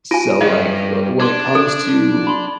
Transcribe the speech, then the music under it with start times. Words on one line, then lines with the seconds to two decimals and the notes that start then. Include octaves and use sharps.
so, like, uh, when it comes to
0.11 F4 G#5 D7 D#7
0.41 D2 G2 D#5
1.20 D4 C6 D6 G#6
1.55 A4
2.27 B5 C6